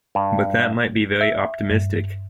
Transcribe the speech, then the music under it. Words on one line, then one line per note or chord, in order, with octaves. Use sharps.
But that might be very optimistic.
G2
E5
G2